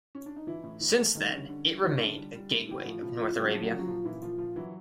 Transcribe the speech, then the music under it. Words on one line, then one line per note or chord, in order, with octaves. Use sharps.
Since then, it remained a gateway of North Arabia.
C#4
D4
D#4
E3 E4
A2
E3
A3
D#3 G3 D#4
D3 C#4
D3
G3
E3 D#4
D4
C#4
D3 E3 D4
G3
G3
A2
E3 G4
F#4
A2 F3 F4
A2 F3 F4
C#3 F3 F4
C#3 G3 G4
F#3 F#4
F3 A3 F4
F#3 F#4
C#3 F3 F4
F#3 F#4
A#2 F3 F4
A#2 E3 E4
A#2 F3 F4
A#2 F3 F4
E3 F#3 E4